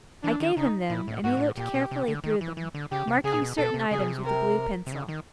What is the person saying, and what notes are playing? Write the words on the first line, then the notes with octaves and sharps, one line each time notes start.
I gave him them and he looked carefully through them, marking certain items with a blue pencil.
E3 D4
D#3
C#3 D#4
A#2 E4
A2
G#2 F#4
A#2
A2
A#2 G4
B2
C3
D3
D#3
E3
E3
D3
C#3 G4
C3
C#3 G#4
A#2
B2
B2 A4
C3
C#3 G#4
B2
C3
A#4
C3
C#3
D#3